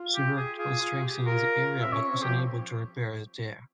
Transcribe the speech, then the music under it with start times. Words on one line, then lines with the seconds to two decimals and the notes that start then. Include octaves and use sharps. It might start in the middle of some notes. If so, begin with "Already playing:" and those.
She worked on strengthening the area, but was unable to repair the tear.
Already playing: F4
0.15 G4
0.37 G#4
0.59 F4 G#4
0.81 F4
1.03 G4
1.26 F4 A#4
1.81 C4 E5
1.92 C#4 C#5
2.08 C4
2.22 F3 G4